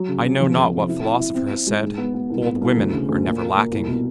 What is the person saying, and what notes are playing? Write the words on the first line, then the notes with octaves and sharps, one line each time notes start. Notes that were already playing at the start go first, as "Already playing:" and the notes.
I know not what philosopher has said: "Old women are never lacking."
Already playing: F#3
C#3
C#3
F3
F2
C3
E4
E4
E4
C4
C4
G#3
G#2
B3
B3
C2
B3
C2
D2
C#3
D2
A#2
A#3
A#2
C2
B2